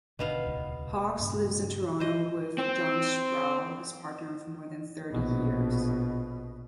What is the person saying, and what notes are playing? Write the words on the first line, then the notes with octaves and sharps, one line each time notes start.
Hawkes lives in Toronto with John Sproule, his partner of more than thirty years.
G#1 B2 D3 D#3 B3 F5
D#1 C#2
G2 A#2 C#3
D#3 C5 D#5
C4
A#1 B2